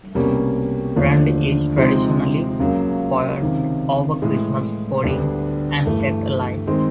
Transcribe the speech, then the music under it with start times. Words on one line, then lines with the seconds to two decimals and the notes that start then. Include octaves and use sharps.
Brandy is traditionally poured over Christmas pudding and set alight.
0.15 C2 B2 G3 A#3 C#4
0.96 D#2 D3 F3 A3 D4
1.77 C3 F3 G#3 C4 D#4
2.60 C#2 C#3 F#3 A#3
3.41 C#2 C3 D#3
4.22 A2 E3 G#3
5.03 D2 D3 G3 B3 D4
5.85 G2 E3 A3
6.67 D#3 G#3 C4